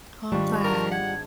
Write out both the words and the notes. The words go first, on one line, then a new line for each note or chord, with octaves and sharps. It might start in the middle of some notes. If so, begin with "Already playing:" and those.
Oh, I'm glad.
G#1 G3 D4 F4 C#6 E7
D4 A#4
F#5 G#6